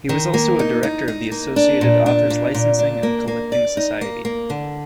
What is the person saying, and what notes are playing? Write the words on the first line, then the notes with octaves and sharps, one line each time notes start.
He was also a director of the associated Authors' Licensing and Collecting Society.
D#3
A#3
D#4
D#4
D#4
A#3
D4
A#2
D4
A#2
A#2
D4
A#3
A#3
D5
D#4
A#3
A#3
D3